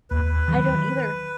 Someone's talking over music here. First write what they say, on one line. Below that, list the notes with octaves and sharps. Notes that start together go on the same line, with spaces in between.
I don't either.
D#2 B4
D#3 F#3